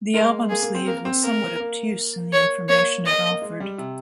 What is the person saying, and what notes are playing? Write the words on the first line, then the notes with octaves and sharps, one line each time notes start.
The album sleeve was somewhat obtuse in the information it offered.
G#3 A#4
A#3 G#4
A#3
C4
A#3 A#4
C4
A#3 A#4
A#3
C#5
A#3 C#5
D#5
A#3
G#3
G3
C3